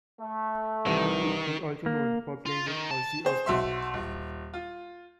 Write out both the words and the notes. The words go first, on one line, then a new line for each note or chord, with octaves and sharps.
He is also known for playing with Ozzy Osbourne.
A3
C2 C3 D#3 E3
A#3
F4
D#3
A5
G#4 C5
B1 F#4 E5 C6
D#1
F4